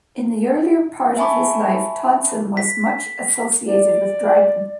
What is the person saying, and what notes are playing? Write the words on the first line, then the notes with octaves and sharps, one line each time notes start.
In the earlier part of his life Tonson was much associated with Dryden.
E5 G#5 A5 B5 C#6 D6
B6
D5